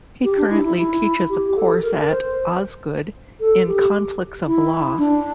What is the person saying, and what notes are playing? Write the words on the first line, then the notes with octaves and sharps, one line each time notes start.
He currently teaches a course at Osgoode in conflicts of law.
G4
D4
E4
E4
E4
G4
A4
A#4
C5
A4
G4
E4
D4